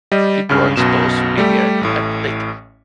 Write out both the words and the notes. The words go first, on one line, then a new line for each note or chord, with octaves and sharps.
people are exposed to maybe at at, like
G3 D#5
C#2 G2 C#3 F6
B1 F#2 B2 E7
G3 A3 G4
A1 A2